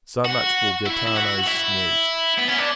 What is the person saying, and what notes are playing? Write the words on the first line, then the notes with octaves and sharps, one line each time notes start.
So much for Gaetano's news.
F#4
E4
E4
F#4
E4
B3
C#4
D4